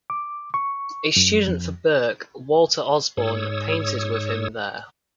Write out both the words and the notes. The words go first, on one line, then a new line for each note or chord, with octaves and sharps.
A student of Burke, Walter Osborne, painted with him here.
D6
C#6
F#2
F2
G#2 C#5 D#6 E6